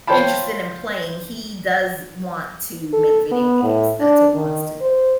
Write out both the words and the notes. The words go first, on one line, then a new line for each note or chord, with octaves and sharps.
interested in playing. He does want to make video games. That's what he wants to do,
F4 C5 C#5 G5 A5 B5
A4
B3
A2
D4
D#3
C5